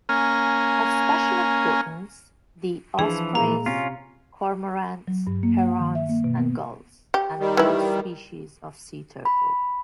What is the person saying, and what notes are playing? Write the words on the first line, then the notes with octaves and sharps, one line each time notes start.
Of special importance: the ospreys, cormorants, herons, and gulls-and four species of sea turtles.
A#3 C#4 G#5 A#5 F6
E3 F3 D4 F4 G#4
A#2 G#3 A#5
C3 C#4 F4
F#3
G2
A#3
F#5
D#3
E5
A#3
B2
B3
G4
D#3 G3
E3 E4
B5